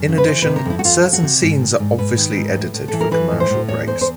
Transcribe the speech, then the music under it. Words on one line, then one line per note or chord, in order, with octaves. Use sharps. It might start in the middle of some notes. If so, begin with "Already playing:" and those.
In addition, certain scenes are obviously edited for commercial breaks.
Already playing: F#2
C#3
B4
E3 C5
C3 B4
A#4
F2 E4
F#4
F2 F4
F2
F#4
C3
G#2
D#3
G#2
G#2 B4
D#3
G#2
A2
A2
E3 A4
A#4
E3 B4
A2
C5
A2
E2 C#5
E2 C5
C5